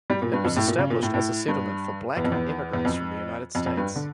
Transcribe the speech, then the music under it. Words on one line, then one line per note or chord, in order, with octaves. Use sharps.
It was established as a settlement for black emigrants from the United States.
G3
A#2
G2
F2
A2
A#2
C#3
A#2
A2
A2
G2
E2
F2
E2
E2
F2
F2
F2
G2
D3